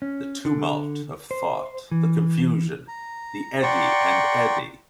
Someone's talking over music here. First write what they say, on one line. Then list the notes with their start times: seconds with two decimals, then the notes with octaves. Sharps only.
The tumult of thought, the confusion, the eddy and eddy.
0.02 C#4
0.45 D3
1.31 C5
1.91 E3
2.88 A#5
3.62 D5 F#5 G5 A#5 C6 C#6